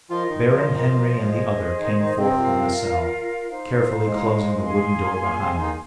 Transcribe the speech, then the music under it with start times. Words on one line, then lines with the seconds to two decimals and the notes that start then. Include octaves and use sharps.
Baron Henry and the other came forth from the cell, carefully closing the wooden door behind them.
0.10 F3 F4 A#4 D#5 C6
0.29 D#3 D#4
0.47 F3 F4
1.24 G#4 C5 D#5
1.80 D#3 D#4
1.99 D#3 D#4
2.18 C3 C4
2.36 F4 A#4 F5
3.50 D#4 C5 F5
4.07 G#3
4.63 G#4 F5 G#5 C6
5.20 A#2 A#3
5.39 C3 C4
5.58 D#3 D#4